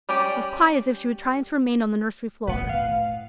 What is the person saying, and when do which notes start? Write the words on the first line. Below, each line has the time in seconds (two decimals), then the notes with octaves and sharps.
It was quite as if she were trying to remain on the nursery floor.
0.09 G3 C#4 G4 D5
2.47 A2 B4 F#5
2.69 F5